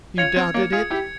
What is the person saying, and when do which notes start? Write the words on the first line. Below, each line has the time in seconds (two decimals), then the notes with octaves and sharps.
"You doubted it?"
0.17 C#4 F4 G#6 C#7 F7
0.36 C4
0.54 A#3 C#4
0.72 F4 G#4 G#6 C#7 F7
0.90 E4 G4